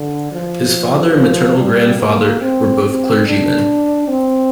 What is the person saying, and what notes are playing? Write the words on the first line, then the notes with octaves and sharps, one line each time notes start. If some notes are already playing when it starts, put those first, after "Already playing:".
His father and maternal grandfather were both clergymen.
Already playing: D3
F3
G3
A#3
C4
C4
D4
C4